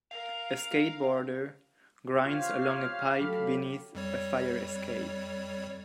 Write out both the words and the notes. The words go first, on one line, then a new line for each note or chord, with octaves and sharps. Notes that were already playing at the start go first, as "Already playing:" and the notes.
A skateboarder grinds along a pipe beneath a fire escape.
A#4 F5 F7
F4 G4 C5 C#5 F5
F#3 A3 G4 A4 B5
F2 G3 C#5